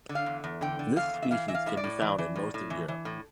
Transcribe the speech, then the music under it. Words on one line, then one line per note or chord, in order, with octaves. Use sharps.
This species can be found in most of Europe.
D3
F5
E2
E2
D3 G5
D3
E2 F5
E2
E5
E3 F5
E3 E5
F5
A2 E5
D5
A2
E3
E3
A2
A2
E3
E3
A2